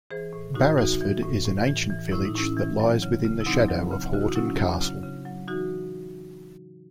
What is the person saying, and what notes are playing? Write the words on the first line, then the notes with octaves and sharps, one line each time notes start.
Barrasford is an ancient village that lies within the shadow of Haughton Castle.
E3 G#4 C5
A2
A2 D#4 F#4
E3 D#4 F#4
E3
A2
A2
E3
E3
A2 E4
D#4
A2 C#4 E4
E3
F#3
C#3
C#3
E4
F#3 C4 D#4
F#3
C#3
C#3 F#4
E4
D#4
F#3 C#4 E4
F#3
C#3
C#3
F#3
E3 D#4 F#4